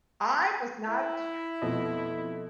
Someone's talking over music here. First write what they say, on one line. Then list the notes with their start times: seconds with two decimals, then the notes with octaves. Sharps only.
I was not stru
0.89 E4 E5
1.62 F2 B2 F3 A3 A4 D#5